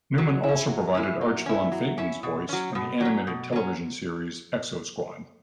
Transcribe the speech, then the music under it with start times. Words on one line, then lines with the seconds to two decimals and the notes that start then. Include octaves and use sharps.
Newman also provided arch-villain Phaeton's voice in the animated television series "Exosquad".
0.18 F#3
0.43 C#4 E4
0.69 F#3
0.94 C#4 E4
1.21 F#3
1.46 C#4 E4
1.72 F#3
1.98 C#4 E4
2.23 B2
2.49 F#3 C#4
2.75 B2
3.00 F#3 C#4
3.27 B2
3.52 F#3 C#4